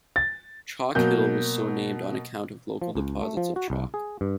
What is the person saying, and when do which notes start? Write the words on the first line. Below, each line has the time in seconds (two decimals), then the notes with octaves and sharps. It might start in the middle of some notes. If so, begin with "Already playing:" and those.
Chalk Hill was so named on account of local deposits of chalk.
0.16 A6
0.95 B2 F#3 A#3 G6
2.82 F3
2.95 C#2
3.22 A3
3.37 F3
3.56 F#4
3.70 C2
3.94 G#4
4.21 G2